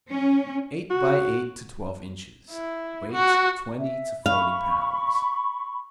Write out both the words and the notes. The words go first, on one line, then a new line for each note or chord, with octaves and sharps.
Eight by eight to twelve inches, weight twenty to forty pounds.
C#4
F#4
E4
F#4
E5
F5 B5 C#6